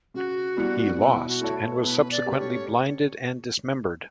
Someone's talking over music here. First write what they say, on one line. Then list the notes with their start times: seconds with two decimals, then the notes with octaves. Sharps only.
He lost and was subsequently blinded and dismembered.
0.14 C#3 F#4
0.57 E3 G3 B3
0.95 F#4
0.99 B2 E4
1.28 F#4
1.41 A3 E4 A4 C#5
1.83 B2 B4
2.11 D5
2.26 A3 C#4 G4 B4
2.39 C#5